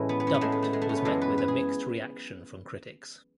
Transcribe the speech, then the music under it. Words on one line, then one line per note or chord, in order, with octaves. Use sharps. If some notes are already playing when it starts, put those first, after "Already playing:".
"Dumped" was met with a mixed reaction from critics.
Already playing: A2 E3 G#3 C#4
B3
B3
C#4
B3
A2 G#3 A3
B3
A3
G#3
A3
C#4
B3
F#2 E3 G#3 A4
B4
B4
G#4